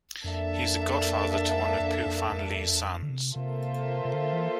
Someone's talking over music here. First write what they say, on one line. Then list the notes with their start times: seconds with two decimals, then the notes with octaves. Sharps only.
He is the godfather to one of Pui Fan Lee's sons.
0.24 F2 A#3 D4 A4 E5 A5
1.80 F2
2.06 F2
2.32 F2
2.57 E2
2.65 F2
2.73 E2
2.83 F2
3.03 D3
3.09 C3
3.35 C3 A#3 F4 A4 C5 E5
4.05 C3
4.14 D3
4.33 E3